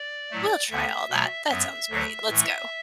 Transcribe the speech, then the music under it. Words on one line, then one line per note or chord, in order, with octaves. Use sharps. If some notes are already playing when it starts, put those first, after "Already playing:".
we'll try all that, that sounds great, let's go."
Already playing: D5
A2 F#3 A3
D2 D3 B3 E5
B2 F#3 A3
F#2 F#3 B3 E5
D2 D3 F#3 A3
A2 E3 A3